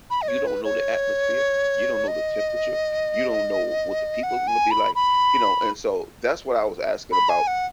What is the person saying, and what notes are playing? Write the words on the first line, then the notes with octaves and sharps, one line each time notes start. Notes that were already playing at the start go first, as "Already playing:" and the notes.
you don't know the atmosphere, you don't know the temperature, you don't know what the people are gonna be like, you know? And so that's what I was asking about,
B5
D#5
C#5
B4
C#5
D#5
F#5
G#5
B5
B5
B5
G#5
F#5